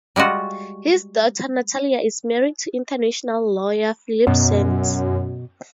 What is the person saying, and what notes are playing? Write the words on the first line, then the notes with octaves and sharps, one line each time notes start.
His daughter Natalia is married to international lawyer Philippe Sands.
G3 G#3 F4 F#4
F#2 B2